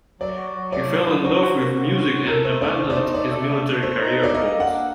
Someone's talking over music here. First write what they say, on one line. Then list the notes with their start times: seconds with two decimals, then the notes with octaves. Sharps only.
He fell in love with music and abandoned his military career goals.
0.21 F#3 D5
0.37 F#4
0.54 F#3
0.72 A2 D5
0.89 F#3
1.07 F#3
1.24 F#4 C5
1.41 F#4
1.58 A#3
1.76 A2
1.93 F#4
2.11 A2
2.27 A4 A#4
2.44 A3 C5
2.61 A3 D5
2.80 A3 C5
2.90 D5
2.96 D#4 C5
3.14 A3 D5
3.30 A4 D5
3.48 A3
3.66 A3
3.83 A4 C5
4.00 D#4
4.17 A4
4.23 D5
4.35 A#3 D#5
4.52 A#3
4.60 F#5
4.69 D4